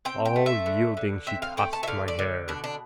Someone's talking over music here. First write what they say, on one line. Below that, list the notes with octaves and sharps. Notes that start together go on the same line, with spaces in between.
All yielding she tossed my hair.
C4 G5
G5
A3
E5
D3
D3
C4 E5
F5
A3 G5
A5
E5
D3 F5
D5
D3
B2 D4
D4